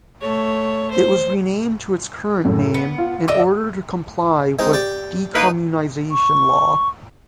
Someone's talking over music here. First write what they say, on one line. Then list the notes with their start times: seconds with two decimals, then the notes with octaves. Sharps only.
It was renamed to its current name in order to comply with decommunization law.
0.21 A3 C#5
0.90 C5
2.45 F#2 A2 C#3
2.74 B3 C#7
2.98 F4
3.28 D3 D#5 E5 D6
4.59 G#3 C4 D#4
4.73 G4 D5
5.35 A#3 D#4 B4
6.10 C#6